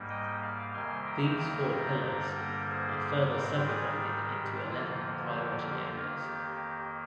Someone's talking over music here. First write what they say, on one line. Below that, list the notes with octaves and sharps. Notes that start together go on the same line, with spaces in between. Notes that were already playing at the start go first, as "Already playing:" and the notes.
These four pillars are further subdivided into eleven priority areas.
Already playing: G#2 G3 A#3
D#5 G5
D5 F5
F2 C3 D#3 G3 A#3 G#5 C6
G5 A#5
G5 A#5
G5 A#5
G2 D3 G3 A#3 G5 A#5
G5 A#5
G#4 C5
G#2 D#3 G3 C4 G4 A#4
F4 G#4
G4
F2 D3 F3 A#3 F4
G4
F2 D#3 A#3 F4
G4
G4